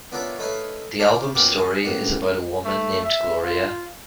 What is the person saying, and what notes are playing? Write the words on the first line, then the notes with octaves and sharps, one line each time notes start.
The album's story is about a woman named Gloria.
B3 D4 F4 A#4 C#5 E5
A3 D#4 B4 C#5 E5 F5
C5 D5 F5 G5 A5
F#2 A#2 B3 G4 A#4 D6
G#4 A5
F#2 A2 A#3 B3
A3
E5
F4